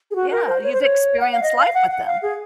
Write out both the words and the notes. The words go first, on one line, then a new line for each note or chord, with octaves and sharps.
Yeah, you've experienced life with them.
G#4
F#4
A#4
C5
C#5
C5
C#5
F#5
F5
D#5
F5
F#5
F#5
F5
G#4